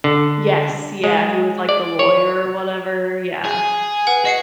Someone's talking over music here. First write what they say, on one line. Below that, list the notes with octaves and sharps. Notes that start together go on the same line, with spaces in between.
Yes, yeah, he was like the lawyer or whatever, yeah.
D3
G#3
D5
C#5
G#4
B4 F#5
F#4 D#5 C7 C#7